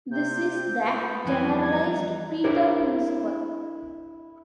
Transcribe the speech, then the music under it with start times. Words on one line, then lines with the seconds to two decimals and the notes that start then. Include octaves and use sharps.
This is the "generalized Peter Principle".
0.12 C3 G6
0.78 B3
1.25 F2 E3 G3 G#5
1.59 G#6
2.44 D4 E4 G4 A#4 C5 C#5